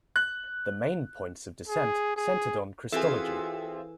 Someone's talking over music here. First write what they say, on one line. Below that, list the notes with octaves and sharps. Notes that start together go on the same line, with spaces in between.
The main points of dissent centered on Christology.
F#6
G#4
G#4
E3 C4 F4 F#4 G#4 A4 E5 G#5